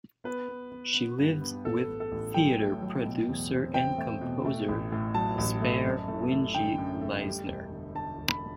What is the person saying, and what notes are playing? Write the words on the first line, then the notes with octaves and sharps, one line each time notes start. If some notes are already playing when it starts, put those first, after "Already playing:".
She lives with theatre producer and composer Jesper Winge Leisner.
B3 B4
B3
B3
B3
G2
B3
A1 A4
A1
A4
A1
F#3 G5
A2
F#3
B2
E2
C4
C4 G5
A3
B2
A3
A1
A2
F#3 A5
A1
A3
F#2
A3
A3
D3 G5
F#2
A3
G3
E1
D3
D3 A5
E1
B5